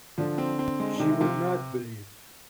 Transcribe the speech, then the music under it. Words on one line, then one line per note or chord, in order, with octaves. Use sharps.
She would not believe.
D3 F3 D4
C4
C4
G#3
D4
C3 D#3 D#4
E3 E4
C3 F3 F4